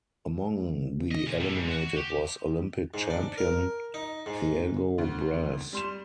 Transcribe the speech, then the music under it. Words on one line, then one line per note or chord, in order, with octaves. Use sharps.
Among the eliminated was Olympic champion Thiago Braz.
D#5
A#2
G3 A4
G#2
F#4
G4
G#2
D4
A#4
D#4
G#2
D2
G3 C6 E7